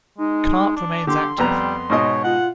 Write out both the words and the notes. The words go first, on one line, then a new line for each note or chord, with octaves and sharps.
Karp remains active.
G#3 D#4
D4
D3 G4 C6
F2 G3 B3 A#5
G#2 B2 C#5 D#5
F4 F#5